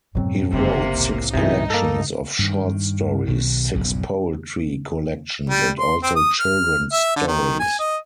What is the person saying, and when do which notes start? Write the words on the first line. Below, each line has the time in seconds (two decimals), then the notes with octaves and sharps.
He wrote six collections of short stories, six poetry collections, and also children stories.
0.15 F2 G#2 B2 F#3 C4
0.53 F#1 C3 A#3
0.95 C2 A2
1.34 G2 C3 D#3 E3 D#4
1.70 A#3 A4
2.39 G2 D#3
3.26 B1 B2 D#3
3.73 F#1 B1 F2 G#2
5.50 G3
5.79 C6
6.03 C4
6.16 D#6
6.40 F6
6.93 E5
7.16 D3
7.27 D#3
7.59 G#5
7.79 D#5